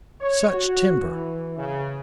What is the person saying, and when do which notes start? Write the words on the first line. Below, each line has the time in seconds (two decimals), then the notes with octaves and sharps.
Such timber!
0.21 C#5
0.54 F#4
1.02 E3
1.57 C#3